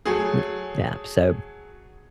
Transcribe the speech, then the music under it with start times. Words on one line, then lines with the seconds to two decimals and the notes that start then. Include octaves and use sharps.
Y yeah. So,
0.05 F#3 A3 G#4